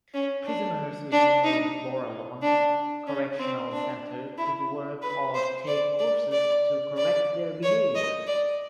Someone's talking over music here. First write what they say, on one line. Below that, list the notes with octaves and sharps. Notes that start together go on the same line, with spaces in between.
Prisoners within Borallon Correctional Centre could work or take courses to correct their behavior.
C#4
D4
D4
D#4
D4
C#4
C4
D4
E4
B4
C5
D5
D5
D5
D5
C#5
D#5
D5